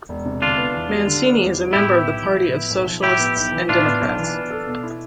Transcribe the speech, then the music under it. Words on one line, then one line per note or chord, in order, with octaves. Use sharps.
Mancini is a member of the Party of Socialists and Democrats.
E1
C3
D3 D4 F4
B3
E2
G3
D3
B3
E2
G3
A2 E4 G4
B3
B1
F3
A2
B3
B1
F3
A2 E4 G4
B3
B1
E3
A2 D4 F4
B3
B1
E3
B3
A4
B2
E4